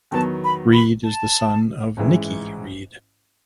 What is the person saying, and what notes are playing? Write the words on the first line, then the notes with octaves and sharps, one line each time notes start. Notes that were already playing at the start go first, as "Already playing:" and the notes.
Reed is the son of Nikki Reed.
E2 D#3 F#3 B3 A5
B5
B5
A5
A1 G#2 E3 G#3